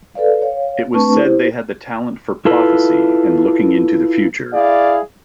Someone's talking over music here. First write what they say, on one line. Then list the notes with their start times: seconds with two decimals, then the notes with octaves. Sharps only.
It was said they had the talent for prophecy and looking into the future.
0.15 A4 B4 D5 F5
0.41 C#5 F5
0.94 A3 C4 D4 B4 A5 C#6
1.14 E4 G4 C5
2.45 E4 F4 A4 B4
4.53 E4 G#4 D5 F5